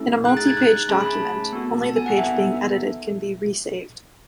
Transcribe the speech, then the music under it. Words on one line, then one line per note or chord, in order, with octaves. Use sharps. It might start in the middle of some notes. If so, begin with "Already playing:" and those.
In a multipage document, only the page being edited can be re-saved.
Already playing: A3 C#4 E4 A4
D#4 G#4 F#6
A6
G#6
F#6
A3 C#4 G#4 A5
B5
A5
B3 F#4 A4
A5
G#5
F#5
B3 D#4 A4 E5